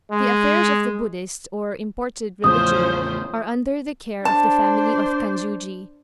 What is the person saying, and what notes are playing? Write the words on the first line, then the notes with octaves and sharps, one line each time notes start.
The affairs of the Buddhist or imported religion are under the care of the family of Kanjuji.
G#3
E2 A2 C#3 F3 C#4 C5 D#6
D4 C5 A5